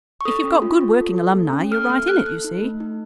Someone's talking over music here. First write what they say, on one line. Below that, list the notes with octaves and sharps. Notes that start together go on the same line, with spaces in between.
If you've got good working alumni, you're right in it, you see.
C#6
A4 D#6
C#4
F4
F4
A4
A4
A#3
C#4
A4 F6
A#3 F6
A4 F#6
A4 F#6
D#4
A3
D#4